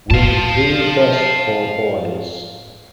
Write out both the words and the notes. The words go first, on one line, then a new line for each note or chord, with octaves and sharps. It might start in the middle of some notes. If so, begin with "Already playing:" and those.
Will do best for boys.
A2 F5 A5